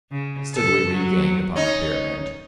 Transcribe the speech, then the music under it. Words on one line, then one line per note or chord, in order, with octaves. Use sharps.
Steadily we gained upon the pyramid.
C#3
A4
F#3
C#4 D#4